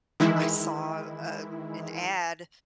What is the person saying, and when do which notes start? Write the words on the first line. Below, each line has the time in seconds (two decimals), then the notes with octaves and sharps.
I saw, uh, an ad
0.20 D#3 E3 G#3 E4